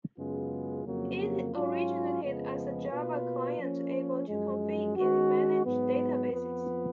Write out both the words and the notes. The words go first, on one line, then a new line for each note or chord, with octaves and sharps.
It originated as a Java client able to configure and manage databases.
F#2 C#3 G#3 B3 F4
F2 C#3 F#3 A#3
G#2 F#3 C#4 F4
F2 C#3 F3 G#3 B3
B2 A#3 F4 B4
F3 A#3 C#4
F#2 F3 G#3
D#3 G#3 C#4 F#4
G#2 F#3 B3
F2 F3 B3